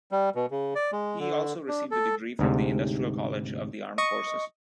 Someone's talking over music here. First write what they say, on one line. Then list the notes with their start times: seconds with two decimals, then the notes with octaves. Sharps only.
He also received a degree from the Industrial College of the Armed Forces.
0.11 G3
0.35 B2
0.51 C#3
0.75 D5
0.92 G#3
1.19 D3
1.68 D4
1.91 A4
2.39 D2 G#2 C3
3.98 D#5 C#6